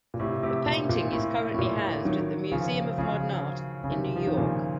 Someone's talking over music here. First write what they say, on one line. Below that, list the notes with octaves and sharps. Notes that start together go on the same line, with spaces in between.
The painting is currently housed at the Museum of Modern Art in New York.
A#2
A2 C3
A2 C3
A#2
A#2
A2
A2
A#2
D#3 F#3
C#3 F3
C#3 F3
C#3
C3 D#3
F3
D#3
A#2 C#3